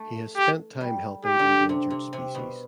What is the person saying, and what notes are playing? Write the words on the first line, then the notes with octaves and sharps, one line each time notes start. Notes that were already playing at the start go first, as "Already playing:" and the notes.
He has spent time helping endangered species.
Already playing: A3
G4
G3
G4
D3
C3
C3
C3
B2